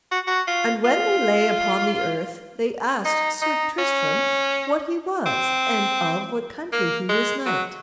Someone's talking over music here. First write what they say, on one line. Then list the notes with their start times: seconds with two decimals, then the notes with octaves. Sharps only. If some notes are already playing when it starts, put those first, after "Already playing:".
And when they lay upon the earth they asked Sir Tristram what he was, and of what country he was knight.
0.11 F#4
0.27 F#4
0.48 F4
0.84 F4
3.05 D#4
3.41 D#4
3.78 C#4
5.26 C4
6.72 A#3
7.09 G#3
7.46 F#3